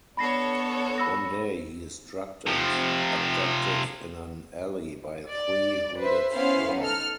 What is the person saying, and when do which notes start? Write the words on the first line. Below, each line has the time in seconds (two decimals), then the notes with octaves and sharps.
One day he is drugged and abducted in an alley by three hooded women.
0.17 B3 D4 A4 C#5 B5 A#6 C7
0.98 B5 E6 A#6
2.47 C3 F3
5.28 D5
5.98 B4 C5 E5
6.32 B3 C#4 E4 C5 F5
6.78 D#4 A4 F6